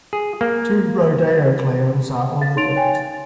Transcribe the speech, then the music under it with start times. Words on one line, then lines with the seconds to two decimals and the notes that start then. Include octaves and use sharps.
Two rodeo clowns are on the dirt.
0.13 G#4
0.41 A#3
2.41 F5 A6
2.56 D#4 C#5 C6 A6 D7 F7
2.76 C#5 G5 G#5
2.95 A6